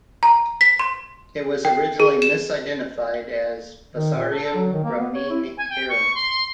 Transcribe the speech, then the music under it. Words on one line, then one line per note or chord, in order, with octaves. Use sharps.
It was originally misidentified as "Fusarium graminearum".
A#5
B6
C6
G5
G#4
E7
D#3
A#2
A4
A4
F#3
D#3
A#3
B3
C#5
E4
G#5
G5
C#6
C6